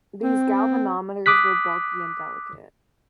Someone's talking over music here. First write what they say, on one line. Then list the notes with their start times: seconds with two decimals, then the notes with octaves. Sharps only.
These galvanometers were bulky and delicate.
0.23 C4
1.26 D6 D#6 F#6 B6